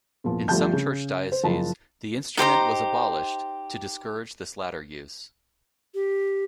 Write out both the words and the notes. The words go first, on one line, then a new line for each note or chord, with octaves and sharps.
In some Church dioceses the instrument was abolished to discourage this latter use.
E2 A#2 F3
G1 F3 G3 A3 A5 G6
C#3
C5
F#1 F3 A5
D#4 G4 C5 A#5
G4